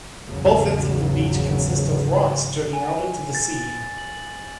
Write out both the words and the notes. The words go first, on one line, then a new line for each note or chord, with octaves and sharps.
Both ends of the beach consist of rocks jutting out into the sea.
G#1 E2 C#3 F#3
G#5
A6
F#7